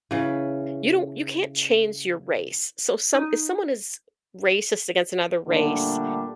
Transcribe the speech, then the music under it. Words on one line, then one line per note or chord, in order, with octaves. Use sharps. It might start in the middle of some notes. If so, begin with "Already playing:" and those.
you don't you can't change your race, so, some if someone is racist against another race,
C#3 E3
D#4
A#2 D3 G3 A3 D4